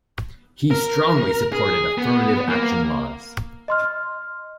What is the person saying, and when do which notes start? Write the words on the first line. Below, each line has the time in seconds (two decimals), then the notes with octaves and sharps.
He strongly supported affirmative action laws.
0.71 A#4
1.52 G#4
1.98 B3
2.49 A#3
3.68 D#5 C6 F6